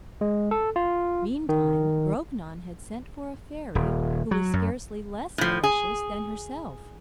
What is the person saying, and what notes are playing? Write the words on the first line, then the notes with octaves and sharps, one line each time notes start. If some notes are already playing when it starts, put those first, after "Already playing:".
Meantime, Grognon had sent for a fairy, who was scarcely less malicious than herself.
G#3
A4
F4
D#3
D#1
F#3
F#2
A2 F3
G#4